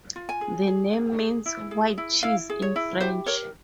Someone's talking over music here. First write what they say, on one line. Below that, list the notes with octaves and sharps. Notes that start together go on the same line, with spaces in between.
The name means "white cheese" in French.
F4
G#5
G#4
G#4
G#4
G#4
E4
G#4
E4
E4 F5
G#4
C#5
E4
G4 C5
A#4 C#5